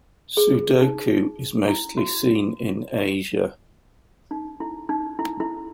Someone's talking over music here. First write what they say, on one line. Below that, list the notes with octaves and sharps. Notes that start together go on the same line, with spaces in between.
Sodoku is mostly seen in Asia.
G#4
D#4
E4
F#4
D#4
E4
D#4
E4
E4